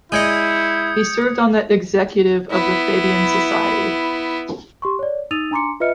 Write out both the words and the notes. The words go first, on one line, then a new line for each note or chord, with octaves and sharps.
He served on the executive of the Fabian Society.
G#3 E4 D5 D#5 D#6 G6 G#6 C#7
B3 E4
G4 C6 C#6
C#5 D5
D#4 D#6 E6 A6 D#7 F7
D4 G#5 A#5 C6 D6 C#7
F4 B4 D#5 E5 F6 C#7